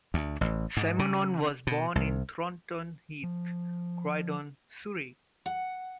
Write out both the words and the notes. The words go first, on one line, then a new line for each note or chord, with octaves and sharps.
Simonon was born in Thornton Heath, Croydon, Surrey.
D2
A1
G#2
C#3
B2
C2
F3
F#5